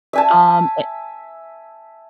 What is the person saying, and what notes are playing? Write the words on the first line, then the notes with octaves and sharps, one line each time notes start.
um, and
E5 G#5 A5